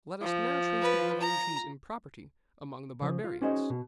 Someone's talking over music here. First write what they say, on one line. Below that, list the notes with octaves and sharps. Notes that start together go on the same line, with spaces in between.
Let us now trace the revolutions in property among the Barbarians.
F3
B4
A#5
C#3 F3
F4
C#4 D#4 F#4 G#4 C5 D#5
B2